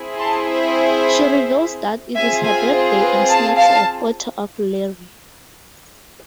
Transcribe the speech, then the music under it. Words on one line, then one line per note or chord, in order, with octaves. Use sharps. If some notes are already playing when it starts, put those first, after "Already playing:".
She reveals that it is her birthday and snaps a photo of Larry.
Already playing: C4 E4 G#4
A5 C6
C5 E5
C4 F4 G#4 E5 G#5
E5 G#5
C5
B4
F5 A5
F5 A5